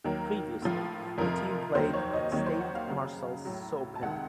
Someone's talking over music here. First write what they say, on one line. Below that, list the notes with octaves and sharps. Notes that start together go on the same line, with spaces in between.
Previously, the team played at Stade Marcel Saupin.
D#2 D#3 F#3 A#4
A2 F3
F2 C3 F3 A#4
D#2 D#3 F#3 C5
C#5
D#5
D#2 D#3 F#3 C#5
C5
F#5
F5
F#2 C#3 F#3
A2 F#3
A5
C#2 C3 D#3 F#5